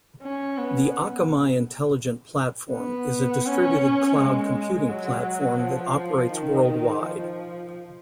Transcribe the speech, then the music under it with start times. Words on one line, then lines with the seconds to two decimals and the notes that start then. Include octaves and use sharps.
The Akamai Intelligent Platform is a distributed cloud computing platform that operates worldwide.
0.22 C#4
0.58 B3
2.73 B3
3.46 C#4
4.17 G#3
4.89 F#3
5.60 F3
6.32 D#3
7.03 F3